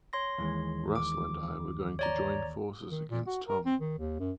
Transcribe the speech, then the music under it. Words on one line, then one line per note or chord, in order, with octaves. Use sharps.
Russell and I were going to join forces against Tom.
C#5 C6 A#6
D#2 E3 G#3
D6
C#5 D5 A#5
D#3
A#2
F#4
A#4
C4
D#3
D#2
F#2